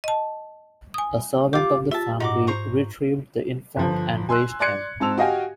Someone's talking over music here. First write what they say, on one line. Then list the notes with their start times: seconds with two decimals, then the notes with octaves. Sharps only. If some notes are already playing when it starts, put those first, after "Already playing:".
A servant of the family retrieved the infant and raised him.
0.04 D#5 A5
0.94 G#5 D#6
1.53 F4 G4 D6
1.91 F4 E5 A5
2.20 G#2 D#4 F#4 D6
2.47 C5 A#5 C#6
3.76 G1 F3
4.29 G#5 C6 E6 F#6
4.60 D5 C6 F#6 G#6 C#7
5.00 G#2 C4 A5 E6 F7
5.18 F#4 G4 D#5 F5 G5 G#5